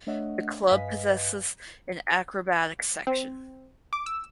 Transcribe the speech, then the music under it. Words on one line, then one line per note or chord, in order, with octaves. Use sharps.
The club possesses an acrobatics section.
A3 D4 C#5 D#5 E5 F#5
G2 B4 D#5 F5 G#5 B6
C4
D6
E6